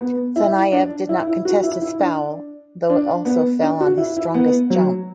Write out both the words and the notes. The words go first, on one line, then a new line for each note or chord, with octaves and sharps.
Saneyev did not contest his foul, though it also fell on his strongest jump.
B3
E4
D4
E4
E4
F#4
E4
E4
D4
D4
B3
D4
F#4
E4
E4
B3
F#3